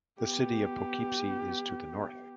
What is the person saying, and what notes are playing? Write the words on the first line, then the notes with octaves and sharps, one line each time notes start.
The city of Poughkeepsie is to the north.
B3 G4